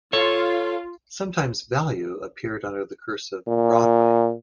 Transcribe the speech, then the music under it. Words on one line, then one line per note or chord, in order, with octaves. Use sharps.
Sometimes "Value" appeared under the cursive "Broadway".
F4 A4 C#5
A#2